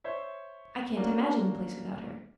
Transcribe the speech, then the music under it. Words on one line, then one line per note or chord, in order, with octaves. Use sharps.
I can't imagine the place without her.
C5 C#5 E5
A#3 C#4 D4 F#4 A#4